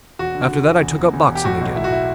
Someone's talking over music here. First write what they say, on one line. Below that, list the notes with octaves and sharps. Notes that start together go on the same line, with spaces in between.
After that I took up boxing again.
E1 F#4
D3
D3
E1
E2
E2
E2
E1
G4
A2 F#4
B1
B1 E4
F#4
E4